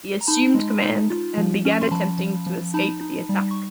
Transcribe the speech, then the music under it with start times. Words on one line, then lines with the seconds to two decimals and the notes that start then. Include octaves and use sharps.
He assumed command and began attempting to escape the attack.
0.21 A#5
0.27 D#4 A5 B5
0.55 G#3
0.82 D#4
1.10 F4
1.37 F3
1.65 C#4
1.71 C#6
1.81 C6
1.91 F3 A5 B5
2.19 F3
2.46 F3
2.74 D#4 A5 B5
3.01 D#4
3.29 G3
3.51 C#6